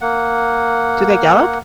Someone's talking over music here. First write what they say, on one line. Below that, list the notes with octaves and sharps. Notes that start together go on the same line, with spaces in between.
Do they gallop?
A#3 F#5